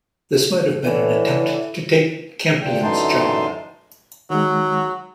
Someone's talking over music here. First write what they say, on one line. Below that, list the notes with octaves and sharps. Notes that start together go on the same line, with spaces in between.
This might have been an attempt to take Campion's job.
A2 D3 E3
D2 G2 A#2 G5
F#2 D3 E3 D#4 A5 C6
D#3 F#3 G#3